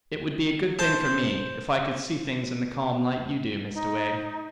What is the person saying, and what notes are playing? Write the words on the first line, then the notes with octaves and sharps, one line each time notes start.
'It would be a good thing for me, if I could see things in the calm light you do, Mr Wegg.'
C5 A5
D#4